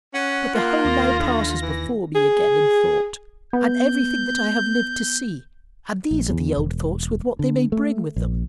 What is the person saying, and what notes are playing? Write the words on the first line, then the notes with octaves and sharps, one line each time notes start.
But the whole now passes before me again in thought, and everything that I have lived to see; and these are the old thoughts, with what they may bring with them.
C#4 F#5
A#3 F4
D#2 A#6
D3
E3
G#4
B3 G6
A#1
E2
E1
D3
A3
A#1